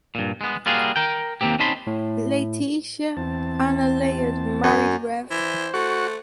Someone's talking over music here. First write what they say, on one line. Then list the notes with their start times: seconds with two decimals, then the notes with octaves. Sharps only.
Laetitia Anna Layard married Rev.
0.15 G2 A#2
0.41 G#3 B3
0.66 G3 A#3 F4 F#4 G#4
0.96 A#4 G5
1.41 D#2 D3 A#3 C4 G4
1.59 C4 C#4 D#4 A5 B5 C6
1.87 A2
3.17 E2 C4 A5
4.64 F#2
5.31 E3 C5
5.74 A3 F#4 C#6